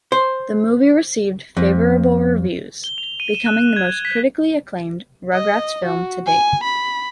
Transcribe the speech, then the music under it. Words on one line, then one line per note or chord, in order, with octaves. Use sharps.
The movie received favorable reviews, becoming the most critically acclaimed "Rugrats" film to date.
C5
F2
G7
F7
D#7
E7
F#6
G#6
B6
D#5
F#4
G#5
B5